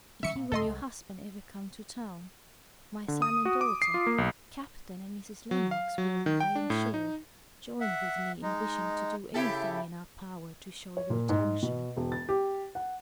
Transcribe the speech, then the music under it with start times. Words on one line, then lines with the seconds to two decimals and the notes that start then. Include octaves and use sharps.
If you and your husband ever come to town, my son and daughter, Captain and Mrs. Lennox, will, I am sure, join with me in wishing to do anything in our power to show you attention.'
0.23 D#3 G3 C#4 E5 C#7
0.35 A#2
0.52 F#2 C3 F3 A4 D#5 C6
0.67 C2 G#3
3.08 D3
3.22 D#6
3.45 F#4
3.61 D6
3.82 C7
3.94 F4
4.07 A#3
4.18 B1
5.51 F#3
5.71 F5
5.98 F#3
6.26 D#3
6.40 G5
6.55 D4
6.70 A2
6.94 D#4
7.80 E5 F#5
8.43 G#3 D#4
9.34 C#3 E4 G4 A4
10.97 C#5
11.10 A#2
11.29 G#2
11.63 B2
11.97 E1
12.12 A6
12.29 G4
12.75 F#5